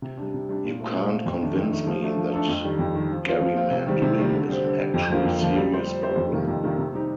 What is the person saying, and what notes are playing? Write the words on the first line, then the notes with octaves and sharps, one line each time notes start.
You can’t convince me that gerrymandering is an actual serious problem.
C3
G3 D4
C3
G3 D4
A#2
A3 C4 F4
A#2
A3 C4 F4
F2
D#3 A3 D4
F2
D#3 A3 D4
F3
A3 D4 A4
F3
A3 D4 A4
F2
D#3 G3
F2
D#3 G3
F3
C4 F4
F3
C4 F4
C3
D#3 G3 C4
C3
D#3 G3 C4
D3
G3 C4
D3
G3 C4
F2
D3 F3 A#3 F4
F2
D3 F3 A#3 F4
G3
C4 G4 C5
G3
C4 G4 C5
F2
C3 D#3 G3 A#3
F2
C3 D#3 G3 A#3
C3
G3 C4 D#4 G4